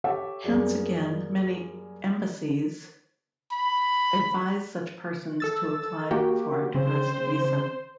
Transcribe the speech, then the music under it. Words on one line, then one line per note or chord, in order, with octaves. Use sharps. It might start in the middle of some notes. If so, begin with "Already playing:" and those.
Hence again, many embassies advise such persons to apply for a tourist visa.
G4 A4 C#5 E5 G5 A5
F#2 G3 A#3 G#4 D5
B5
A4 E6 A6
A#3 F#4 G4
C#3 C4 C5